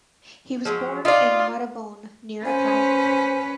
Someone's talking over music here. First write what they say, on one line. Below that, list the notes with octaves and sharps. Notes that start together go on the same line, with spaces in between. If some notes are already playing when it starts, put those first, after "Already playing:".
He was born in Montabone near Acqui.
F3 F#3 G#3
D#4 F4 D5
C#4 B4 C5 G#5